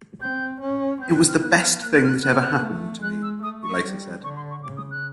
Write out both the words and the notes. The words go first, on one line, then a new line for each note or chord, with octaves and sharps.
"It was the best thing that ever happened to me", he later said.
C4 G6
C#4
C4 G6
F#6
F6
B3 F#6
F6
A#3 F#6
F#6
F6
F#6
B3 F#6
F6
F#6
A3
G#3 F#6
E6
A3 D#6
C#6
G3
D3 C#6
C6
C#6
C#3 D6
D#6
F#6